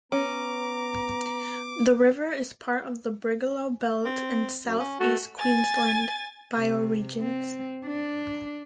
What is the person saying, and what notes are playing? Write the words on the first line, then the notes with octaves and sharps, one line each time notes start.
The river is part of the Brigalow Belt and South East Queensland bioregions.
B3 C#4 A#5 D6
C4
F#2
C#4
A3 F#4
G#5 A6
C3
C4
D4